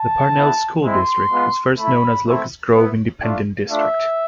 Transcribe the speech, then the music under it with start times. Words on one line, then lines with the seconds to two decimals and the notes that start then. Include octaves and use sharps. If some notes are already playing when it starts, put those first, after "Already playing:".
The Parnell school district was first known as Locust Grove Independent district.
Already playing: A5
0.35 B3 E4
0.83 G#3 C4 E4 C6
1.31 G#3 B3 F4
1.78 A3 E4 B5
2.26 A3 C4 E4
2.74 B3 E4
3.21 A3 D4 F4
3.69 A3 D4 F4 E5